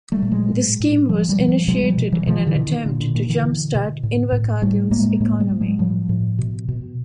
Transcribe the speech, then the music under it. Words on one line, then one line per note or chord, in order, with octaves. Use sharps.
The scheme was initiated in an attempt to jumpstart Invercargill's economy.
G3 A3
A#2
F#3 G#3
A2
A2
B2 F3 G3
G#3
F3 G3
B2
F3 G3
B2 F#3 G#3
F3 G3
B2
E3 F#3
B2 D#3 F3
D3 E3
B2
D#3
A#2 D3
D3
A#2 D#3
D3 E3
B2
B2
A2
A2
A2 G3 A3
A2 G#3 A#3
A2 G#3 A#3
G3 A3
A2
F#3 G#3
A2 F3 G3
A2
B2
B2